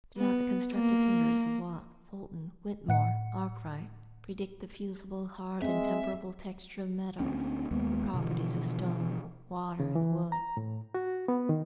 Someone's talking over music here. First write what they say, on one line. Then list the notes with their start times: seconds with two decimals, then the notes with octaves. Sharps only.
Do not the constructive fingers of Watt, Fulton, Whittemore, Arkwright, predict the fusible, hard, and temperable texture of metals, the properties of stone, water, and wood?
0.17 B3
0.72 A#3
2.89 A2 F#5 C#7
5.62 G#3 C4 E5
7.20 D2 A#3 C4 C#4
7.71 D#2 G#3 A#3 B3
8.14 B2 D3 E3 F3
9.80 C#3
9.95 E3
10.32 A#5
10.57 A2
10.94 F#4
11.28 B3
11.49 D#3